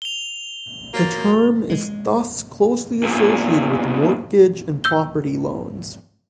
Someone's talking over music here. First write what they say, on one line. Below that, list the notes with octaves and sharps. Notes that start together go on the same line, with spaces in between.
The term is thus closely associated with mortgage and property loans.
F7 G7
A#3 F#4 C#5 A6
G#3
E2 A#2
E6 G6 G7